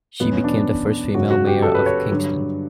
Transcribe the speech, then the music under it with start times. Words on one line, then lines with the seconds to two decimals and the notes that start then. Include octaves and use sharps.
She became the first female mayor of Kingston.
0.20 E2 B2 F#3 B3
0.32 C#4
0.44 D4
1.15 F#2 C#3 F#3 F#4
1.30 F#4
1.47 G4
1.62 A4
1.75 B4
1.86 C#5
2.11 G2 D3 F#3